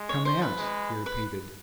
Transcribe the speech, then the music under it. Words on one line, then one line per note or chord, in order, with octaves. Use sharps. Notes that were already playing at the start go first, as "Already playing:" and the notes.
"Come--out," he repeated.
Already playing: G#3
C#5
C5
B4
G#3
B4